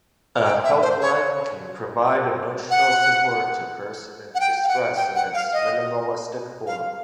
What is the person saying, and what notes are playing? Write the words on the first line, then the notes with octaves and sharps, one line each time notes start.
A helpline can provide emotional support to person in distress in its minimalistic form.
G5
E5
C5
C#5
F#5
F#5
G5
F5
F#5
G5
F#5
F5
D#5
F5